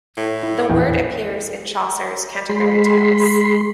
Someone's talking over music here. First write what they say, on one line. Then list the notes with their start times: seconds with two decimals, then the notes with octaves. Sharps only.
The word appears in Chaucer's "Canterbury Tales".
0.17 A2
0.43 E4
0.70 A#1 E2 E4 G5
2.49 G#3 B5 C6